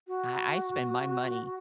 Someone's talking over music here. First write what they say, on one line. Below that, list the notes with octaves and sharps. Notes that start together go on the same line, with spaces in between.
I I spend my money
F#4